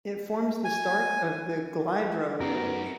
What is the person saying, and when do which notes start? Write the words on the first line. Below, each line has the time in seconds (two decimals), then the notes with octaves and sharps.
It forms the start of the Glyderau ridge.
0.65 G#5
2.40 F#2 B3 D#4 G4 A#4